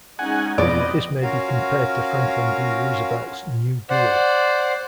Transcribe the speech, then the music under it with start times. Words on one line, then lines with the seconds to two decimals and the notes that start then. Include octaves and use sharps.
This may be compared to Franklin D. Roosevelt's New Deal.
0.19 G#3 C#4 D#4 F#5 G#5
0.58 F2 B2 F3 C4 B4 D5 D#5
1.22 C#4 F4 F#4 A#4 F5
3.90 C5 D5 F#5